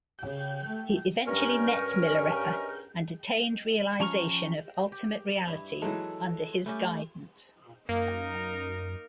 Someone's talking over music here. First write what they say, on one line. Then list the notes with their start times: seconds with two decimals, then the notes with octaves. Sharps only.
He eventually met Milarepa and attained realization of ultimate reality under his guidance.
0.22 C#3
0.64 A3
1.27 G2 C#4 A#4
4.00 F3 C#4 A#5 C#6 F6
4.92 G4
5.47 G2 E4 E5
5.82 E3 F#3 G#3 A3 A4
6.66 G3 A3 C#4 G4
7.89 F#2 A#3 D#4 A#4